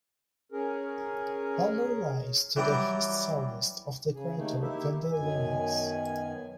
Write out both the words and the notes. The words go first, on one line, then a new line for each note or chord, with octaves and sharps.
Balmer lies to the east-southeast of the crater Vendelinus.
C#4 G#4 A#4
E3 F#3 G3 D5 A#5
C#3 G#4
C3 D#3 A3 A#3 D#4
A#3 D#4 E4 G4 E5
F#2 B2 D#3 G#5